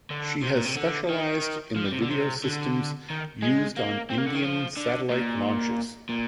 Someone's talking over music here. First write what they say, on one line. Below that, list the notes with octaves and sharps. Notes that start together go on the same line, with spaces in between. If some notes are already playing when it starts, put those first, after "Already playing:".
She has specialised in the video systems used on Indian satellite launches.
D3
C3
A#2
C3
D3
D#3
F3
G3
C3
D3
C3
D3
D#3
G#3
A#3
C4
A#3
D3
D#3
F3
D3
A#2
A#2